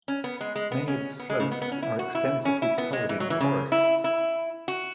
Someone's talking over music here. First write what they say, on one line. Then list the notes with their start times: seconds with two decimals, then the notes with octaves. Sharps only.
Many of the slopes are extensively covered in forests.
0.08 C#4
0.24 B3
0.41 G#3
0.56 G#3
0.72 B3
0.88 C#4
1.20 B3
1.30 G#3
1.40 C#3
1.51 B3
1.62 B3
1.72 C#4
1.82 E4
1.99 F#4
2.15 E4
2.45 C#4
2.62 E4
2.78 B3
2.93 G#3
3.09 E3
3.20 F#3
3.30 E3
3.40 C#3
3.72 E4
4.04 E4
4.68 F#4